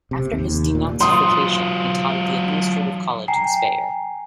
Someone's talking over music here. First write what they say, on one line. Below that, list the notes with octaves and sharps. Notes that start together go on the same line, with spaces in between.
After his 'denazification' he taught at the administrative college in Speyer.
C3
D#2
A#2
F#3 F4 C6 D#6
G5 G#5 A#5 C7